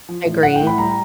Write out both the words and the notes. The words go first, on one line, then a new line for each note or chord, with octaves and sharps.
I agree.
F3
A2
A2 F#5
G5
A2
B5
G3 A#5